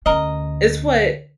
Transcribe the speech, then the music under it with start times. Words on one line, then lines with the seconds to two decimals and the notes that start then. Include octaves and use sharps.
it's what
0.06 D2 C#4 A#4 D#5